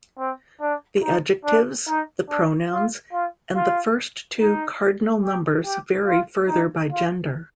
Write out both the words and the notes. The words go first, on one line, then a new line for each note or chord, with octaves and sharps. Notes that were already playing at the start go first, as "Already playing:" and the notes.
The adjectives, the pronouns, and the first two cardinal numbers vary further by gender.
C4
D4
D#4
D4
D#4
D4
F4
F4
F4
D#4
G4
G4
F4
D#4
F4